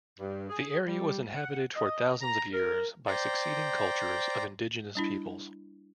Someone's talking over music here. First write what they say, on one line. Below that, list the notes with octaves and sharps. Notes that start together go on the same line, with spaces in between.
The area was inhabited for thousands of years by succeeding cultures of indigenous peoples.
G2
G#4
G3
F#5
D#5
A#5
A#4
C5 D5 G5 A#5
G3 D4 E4